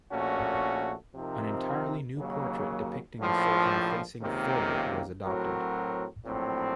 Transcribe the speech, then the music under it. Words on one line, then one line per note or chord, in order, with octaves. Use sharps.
An entirely new portrait depicting the Sultan facing forward was adopted.
A#1 A#2 A3 C#4 F#4
C3 F3 C4 D#4 A#4
D#2 C#3 F#3 A#3
A#1 A2 F3
C#2 C3 D#3 A#3
A2 F#3 C4 F#4 A#4
A#1 A2 F#3 C4